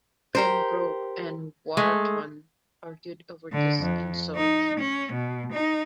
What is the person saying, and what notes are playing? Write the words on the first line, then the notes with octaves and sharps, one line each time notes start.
Pembroke and Wharton argued over this insult.
G4 A#4 C5
G#3 A3
D3
F2
D#4
C#4
B2
D#4